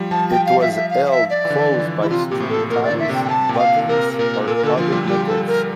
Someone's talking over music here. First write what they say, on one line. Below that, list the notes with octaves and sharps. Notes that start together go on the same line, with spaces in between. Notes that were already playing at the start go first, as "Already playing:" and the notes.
It was held closed by string ties, buttons, or other methods.
Already playing: F3 G3
F3 A5
G5
F5
E5
F5
E5
F5
F5
E5
D5
E3
D3
F3
E3
E4
C3 F4
A#2 G4
A2
A4
A#2 A#4
D5
D3
E5
C3 G5
G5
C3 A5
A#2 G5
F5
C3 A#4
A#2 A#4
A#2 A4
A#4
D3 A4
F3 F4
G3
G3 G4
A4
A#4